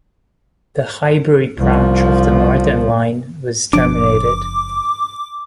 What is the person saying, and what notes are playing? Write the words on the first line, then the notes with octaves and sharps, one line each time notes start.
The Highbury Branch of the Northern line was terminated.
C2 F3
F#1 F3 D4 D6